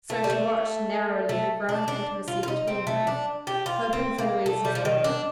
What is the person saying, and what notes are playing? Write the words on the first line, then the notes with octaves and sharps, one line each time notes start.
So she watched narrowly the growing intimacy between them, hoping for Louisa's ruin.
A3
G3
A3
A3
D4
D4
F4
F4
D#4
C4
A3
D4
G4
F4
C4
A#3
A3
G3
F3
D#3
D4